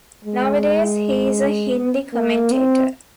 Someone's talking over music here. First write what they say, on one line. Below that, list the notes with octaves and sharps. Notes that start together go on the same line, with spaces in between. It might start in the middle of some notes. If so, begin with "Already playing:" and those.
Nowadays he is a Hindi commentator.
G#3
A#3
C4